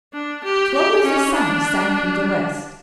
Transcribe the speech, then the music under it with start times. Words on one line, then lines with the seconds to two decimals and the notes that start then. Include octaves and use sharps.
Slowly the sun sank in the west.
0.14 D4
0.44 G4
0.73 G4
1.04 C#4
1.33 D4